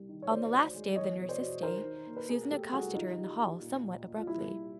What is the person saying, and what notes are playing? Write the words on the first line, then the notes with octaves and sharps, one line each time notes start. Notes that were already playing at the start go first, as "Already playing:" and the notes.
On the last day of the nurse's stay, Susan accosted her in the hall somewhat abruptly.
Already playing: C2 G3
D#3
C#5
D2 C5 D5
D2
G#3
E2 C#5 D#5
B2
C5 D5
B2
D#3 A#4 C5
D#3
A#3
B4
B2 G#4 A#4
A3 G4 A4
C2 F#4 G#4
D#2 D#4 F4
D#2
D#2
A#2
A#2
A#2
F4
C2 E4
C2